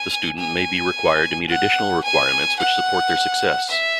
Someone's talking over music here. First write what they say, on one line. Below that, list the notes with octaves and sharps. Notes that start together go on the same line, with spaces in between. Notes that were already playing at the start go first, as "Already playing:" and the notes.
The student may be required to meet additional requirements which support their success.
Already playing: G#5
G#5
F#5
G#5
F#5
E5